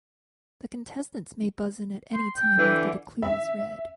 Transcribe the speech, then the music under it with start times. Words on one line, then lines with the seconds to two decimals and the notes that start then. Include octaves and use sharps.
The contestants may buzz in at any time after the clue is read.
2.14 C6
2.36 G5
2.58 D3 E3
3.22 E5